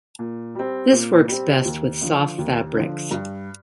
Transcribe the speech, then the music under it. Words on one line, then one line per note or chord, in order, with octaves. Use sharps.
This works best with soft fabrics.
A#2
G3 C4
A#2
G3 C4
D#2
D3 F3
D#2
D3 F3
G2